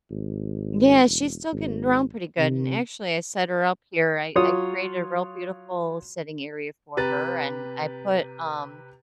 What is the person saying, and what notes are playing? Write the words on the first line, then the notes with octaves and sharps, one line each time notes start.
Yeah, she's still getting around pretty good. And actually, I set her up here, I I created a real beautiful sitting area for her, and I put, um
G#1
E1
G#1
C3
F#3 F4 C#5 D#6
C3 G4 B4 A#5 A6